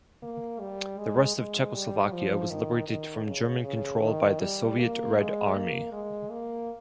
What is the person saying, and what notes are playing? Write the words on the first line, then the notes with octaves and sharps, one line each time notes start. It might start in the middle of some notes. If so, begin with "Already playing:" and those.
The rest of Czechoslovakia was liberated from German control by the Soviet Red Army.
A#3
G3
G#3
G#3
G3
F3
D#3
D#3
C#3
C#3
D#3
G3
A#3
G#3
A#3
G#3
A#3